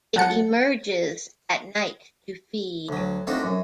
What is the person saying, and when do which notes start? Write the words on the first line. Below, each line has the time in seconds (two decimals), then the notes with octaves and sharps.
It emerges at night to feed.
0.16 F#3 F#5 A5 C#7
2.89 D2 F#3
3.27 A3 C4 D4 D#4 F4 F#4
3.43 F#2